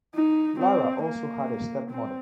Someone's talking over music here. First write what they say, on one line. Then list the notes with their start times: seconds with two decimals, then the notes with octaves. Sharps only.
Lara also had a stepmother.
0.15 D#4
0.59 C4
1.03 A#3
1.91 C4